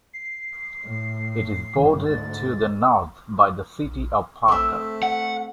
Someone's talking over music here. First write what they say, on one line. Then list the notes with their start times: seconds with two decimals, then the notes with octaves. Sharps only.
It is bordered to the north by the city of Parker.
0.13 C7
0.84 A2
1.76 G1 F#2 D#3
2.06 D2 G#2 A6
4.48 A3 C4 E5
5.03 F#5